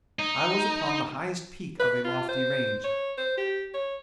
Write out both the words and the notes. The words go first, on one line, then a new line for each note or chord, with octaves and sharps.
I was upon the highest peak of a lofty range.
D#4
B4
F4
C5
C#5
C5
G4
C#5